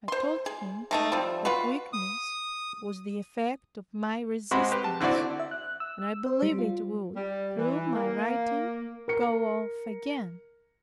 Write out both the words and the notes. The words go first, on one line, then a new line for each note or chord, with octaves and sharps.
I told him, that "weakness was the effect of my resistance," and I believed it would, through my writing, go off again.
C5 C6
G#4
G#3 A3 D#4
F3 G3 C4
F4 F#4 B4
D#6
C3 G#3 C4 F#4 B5 C6
G4 B4
A5
D3 C4 E4 F#4 D5
E5
F#6
E6
C5
G3
F4
G3
E3
A#3
A#4 C#7